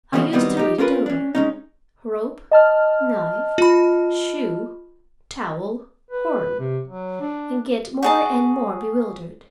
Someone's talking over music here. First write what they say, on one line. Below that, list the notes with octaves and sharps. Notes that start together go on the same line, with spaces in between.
I used to read it over, "rope, knife, shoe, towel, Horn--" and get more and more bewildered.
B2 E3 F3 A3 C4
B2 D#3 F#3 G3 B3 C4
D#4 G4
C#4 F4 A#4 B4
C#4 D4
G#3 C#4 D#4
D#5 A5 F6
F4 B5
B4
C3
F#3
D4
F#4 G#4 A5